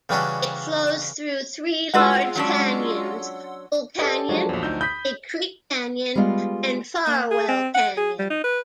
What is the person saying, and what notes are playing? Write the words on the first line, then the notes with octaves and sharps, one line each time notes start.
It flows through three large canyons, Bull Canyon, Big Creek Canyon and Farwell Canyon.
C#3 E3 G3 C#4 D4 F#4
A2 G#3 F4 F#4 B4 F#5 C6 E6
F#3 C#4 D4
G4 A4 B4 D5 D#5
F3 F#3 G#3 D4 C#5 D5
A#1 E2
D2 D#4 E6 G6
B5 D#6 G6 B6
G3 G#3 B3 F4 F5
A#3
G#4
C4
F#5
G#4
G3
D#4
B4